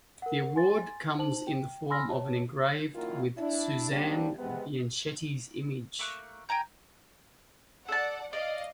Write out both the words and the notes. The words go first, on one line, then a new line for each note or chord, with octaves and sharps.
The award comes in the form of a engraved with Suzanne Bianchetti's image.
A#4 F#5
G#5 C6 A6
D#4 C5 A5 F#7
G5
G#5 B5 C6 E6 F6 A#6
C#5 A5
F#2 D#3 A#3 E4 F4 A#4
D4 E4
F#2 G3 A#3 C4 D4
C3 G#3 B3
A3 A#3 C#6 F#6
G5 G#5 A#5 G6
A4 D5 F#5 A5
D5 D#5 F5